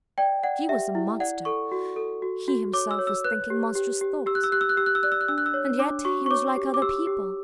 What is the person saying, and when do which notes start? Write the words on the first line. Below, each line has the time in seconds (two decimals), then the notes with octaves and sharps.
She was a monster--he himself was thinking monstrous thoughts . . . and yet he was like other people.
0.18 D5 G5
0.44 D5 F#5
0.69 G4 E5
0.95 E4
1.20 D5 F#5
1.45 A4 C#6
1.72 F#4
1.96 A4
2.22 F#4
2.48 F#4
2.73 C#5 D6
2.91 E6
2.99 C#5
3.07 E6
3.24 B4 F#6
3.50 G4
3.75 G4
4.01 G4
4.26 G4 E6
4.35 F#6
4.44 E6
4.52 G4 F#6
4.61 E6
4.69 F#6
4.77 G4 E6
4.86 F#6
4.95 E6
5.03 D5 F#6
5.12 E6
5.21 F#6
5.28 D4 E6
5.38 F#6
5.46 E6
5.54 C#5
5.79 D4 D6
6.05 F#4 C#6
6.26 C#6
6.31 C#5 D6
6.56 G4
6.74 D6
6.82 G4 E6
7.07 G4